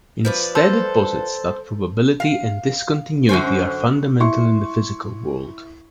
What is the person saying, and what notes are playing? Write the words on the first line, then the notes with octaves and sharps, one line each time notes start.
Instead, it posits that probability, and discontinuity, are fundamental in the physical world.
F3 B4 D5
A4 C5
F5
F#2 D3 C#4 C5
E4 C6 C#6